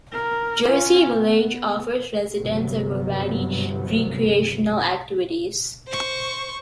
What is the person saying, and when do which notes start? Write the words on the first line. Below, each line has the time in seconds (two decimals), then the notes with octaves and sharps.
Jersey Village offers residents a variety of recreational activities.
0.12 A#4
0.64 C#4 F4
1.12 B3
2.36 G1 G2 C3 F#3 B3
5.88 C5 C#6